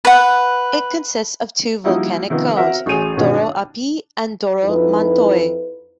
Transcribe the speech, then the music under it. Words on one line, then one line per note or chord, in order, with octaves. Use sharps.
It consists of two volcanic cones, Doro Api and Doro Mantoi.
B4 F#5
F3 G3 A#3 D#4 E4 F#4
C3 D#3 F3 B3
C4 F#4 A#4 E5 F#5
A1 F#3 G#4 D#7 F7
G2 B2 D#3 C#4 F4 F#4
D4
F2 F3 D#4 E4 B4